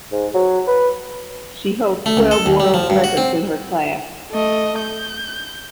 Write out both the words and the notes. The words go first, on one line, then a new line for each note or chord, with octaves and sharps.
She holds twelve world records in her class.
G#2
F#3
B4
A3
C#2
A4
D#2
G3
F3
G2
F#4
C4
A3 D#5
G6